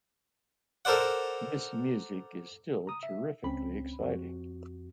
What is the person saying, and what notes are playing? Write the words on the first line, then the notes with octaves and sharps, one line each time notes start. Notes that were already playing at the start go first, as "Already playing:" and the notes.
This music is still terrifically exciting.
A4 A#4 C5 D5 F#5
A#5 D#6
E5
C#2 C4 C#4 B5
F2 F#4